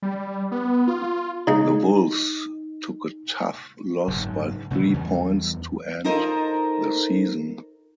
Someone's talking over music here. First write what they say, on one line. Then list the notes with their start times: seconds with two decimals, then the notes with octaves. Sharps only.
The Wolves took a tough loss by three points to end the season.
0.02 G3
0.52 B3
0.88 F4
1.47 C#3 G#3 D#4
4.08 F#1 G#2
4.70 G#1 C#3 E3 A3
4.94 E2 G3
6.04 D#4 F4 A4 A#4 C5 D#5